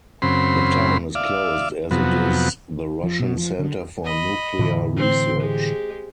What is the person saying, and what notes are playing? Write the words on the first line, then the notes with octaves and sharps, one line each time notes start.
The town is closed as it is the Russian center for nuclear research.
F#2 C#3 C4 B5 C6
D5 E5 F5
F2 C3 F#3 B3
F3
B2
F3
D3
D#5 B5
A2 D3 E3
C4 C6
G#3 G4